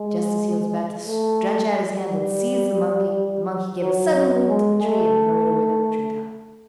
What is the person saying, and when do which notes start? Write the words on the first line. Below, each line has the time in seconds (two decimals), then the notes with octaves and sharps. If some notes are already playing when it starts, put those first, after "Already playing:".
Just as he was about to stretch out his hand and seize the monkey, the monkey gave a sudden leap to the tree and hurried away to the tree top.
Already playing: G#3
1.06 A3
1.75 G3
3.81 F#3
4.15 F#3
4.49 G#3
4.83 A3